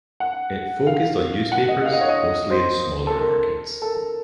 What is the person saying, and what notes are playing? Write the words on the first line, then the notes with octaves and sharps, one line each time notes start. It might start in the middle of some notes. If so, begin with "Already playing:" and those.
It focused on newspapers, mostly in smaller markets.
F#5
F5
F#5
D#5
F5
D#5
C#5
D#5
C5
A4
A#4
A4